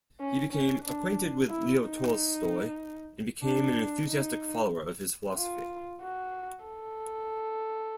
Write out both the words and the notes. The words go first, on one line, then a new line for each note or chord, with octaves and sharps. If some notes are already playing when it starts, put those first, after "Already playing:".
He became acquainted with Leo Tolstoy and became an enthusiastic follower of his philosophy.
C#4
C#4
D4
E4
D#4
D4
D#4
F4
F#4
A4